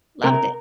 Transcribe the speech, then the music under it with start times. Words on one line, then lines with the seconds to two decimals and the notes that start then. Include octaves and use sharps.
Loved it.
0.24 C3 A#4